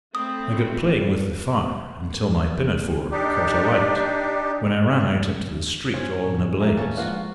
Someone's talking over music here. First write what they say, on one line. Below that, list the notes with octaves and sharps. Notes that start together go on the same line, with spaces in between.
I got playing with the fire until my pinafore caught alight, when I ran out into the street all in a blaze.
A3 C4 B5 D#6
D4 D#4 G4
F#2 C#4 C5
A2 D3 D4 C#5
G#3 E5 G#5 A#5
D#2 A2 A#3 C#4 A4
F3 G#3 A#3 B3 F4 F#4